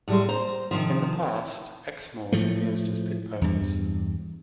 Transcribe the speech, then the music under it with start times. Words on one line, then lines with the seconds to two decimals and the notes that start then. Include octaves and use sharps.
In the past, Exmoors were used as pit ponies.
0.08 A2 G3 G#3
0.29 C5 A#5
0.71 C3 D#3 F3
2.32 A2 F3 A3
3.41 E2 G2